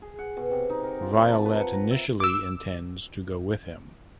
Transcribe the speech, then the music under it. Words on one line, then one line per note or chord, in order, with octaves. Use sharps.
Violette initially intends to go with him.
G#4
F#5
B2
C3
D#4
A#4
F4
A5
B4
F#5
A#5
E5
D6 E6